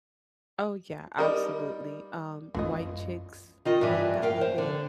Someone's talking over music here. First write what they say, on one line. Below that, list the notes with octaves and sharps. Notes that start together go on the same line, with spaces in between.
Oh yeah, absolutely. Um, White Chicks, love that movie,
G3 D#4 A#4 D#5
F#2 E3 F4 D#5
D#3 F4 D#5
G2 E3
A#4 F5 G5
C5
D3